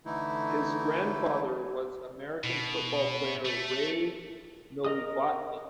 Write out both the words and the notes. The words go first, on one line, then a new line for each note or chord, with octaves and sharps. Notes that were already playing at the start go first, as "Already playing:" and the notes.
His grandfather was American football player Ray Novotny.
D3 E3 A3 D#4 E4
B2
A3
A#4 D#5 D#6